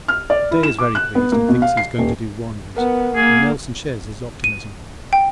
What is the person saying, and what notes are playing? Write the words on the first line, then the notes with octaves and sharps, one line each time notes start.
Day is very pleased and thinks he's going to do wonders, and Nelson shares his optimism.
F6
D5
E4
E7
D6
F#6
B3
A#3
B2
F5
C7
D#1
B3 A#4 F#5
A#3 G#4
D#7
G5